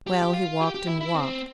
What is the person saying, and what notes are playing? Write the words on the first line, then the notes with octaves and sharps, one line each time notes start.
Well, he walked and walked.
G4
G4
F4
G4
G4
E4
E4
C4